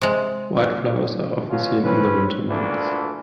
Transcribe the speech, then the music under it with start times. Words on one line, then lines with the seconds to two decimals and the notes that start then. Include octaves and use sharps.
White flowers are often seen in the winter months.
0.02 C3 G#3
1.49 B2 F#3 C#4 F4
1.83 C4 C#4 B4
2.49 D2 A#2 E3 D4